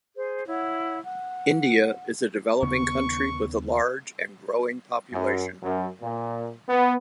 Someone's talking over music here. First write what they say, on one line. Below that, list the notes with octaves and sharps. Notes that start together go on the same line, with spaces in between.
India is a developing country with a large and growing population.
G#4 C5
E4 C#5 F#5
F#5
D#2 C#3 B3 C#6
F#2
F#2
A#2
B3